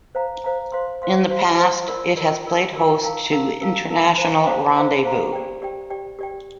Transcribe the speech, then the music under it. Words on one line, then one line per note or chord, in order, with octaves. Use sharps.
In the past it has played host to International Rendezvous.
C5 F5 A#5
C5 F5 A#5
C5 F5 C6
C5 F5 C6
C5 F5 C6
C5 F5 C6
F4 A#4 D5
F4 A#4 D5
F4 A#4 D5
F4 A#4 D5
D#4 A#4 F5 A#5
D#4 A#4 F5 A#5
D#4 A#4 F5 A#5
D#4 A#4 F5 A#5
C5 F5 A#5
C5 F5 A#5
C5 F5 A#5
C5 F5 A#5
G4 D5 G5
G4 D5 G5
G4 D5 G5
G4 D5 G5